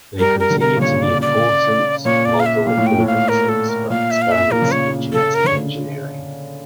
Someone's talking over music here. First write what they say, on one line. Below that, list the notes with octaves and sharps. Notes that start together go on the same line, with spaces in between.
They continue to be important model organisms for experiments in genetic engineering.
G3 A#4
A#4
D3
A#4
A#2
C#3 C#5
D5
D5
A#2 C#5
D5
F5
E5
A#2 F5
A2
G5
A2
F5
A#4
A4
A#4
A#2 F5
E5
F5
E5
A#2 A#4
C#3
A#2 C#5
C#3 A4
A#4
D3 C#5